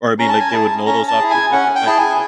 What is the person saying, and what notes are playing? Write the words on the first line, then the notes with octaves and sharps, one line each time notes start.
or I mean, like, they would know those options I should I should say.
C#4 A#5
A5
G#5
E4 G#4 A5
C#4 A#5
A5
E4 G#4
G#5
C#4 F#5
G5
E4 G#4 A5
G#5